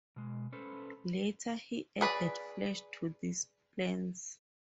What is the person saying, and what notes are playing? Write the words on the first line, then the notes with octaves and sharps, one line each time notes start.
Later, he added flesh to these plans.
B2 G#3
C#4 A4 B4 C5
G#4 B4 D5